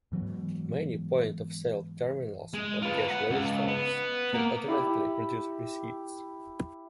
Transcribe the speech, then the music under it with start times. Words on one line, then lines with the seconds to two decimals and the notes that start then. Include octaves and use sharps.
Many point-of-sale terminals or cash registers can automatically produce receipts.
0.12 G#2 E3 F#3 B3
2.54 G#3
2.82 F4 B4
3.08 B4 F#5
3.30 C#2
3.68 B3
4.34 A#3
4.68 E4 G4 E5